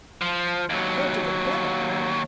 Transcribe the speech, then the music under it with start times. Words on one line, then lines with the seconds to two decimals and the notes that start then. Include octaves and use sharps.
Go to the devil!
0.21 F3
0.70 D#2 F#3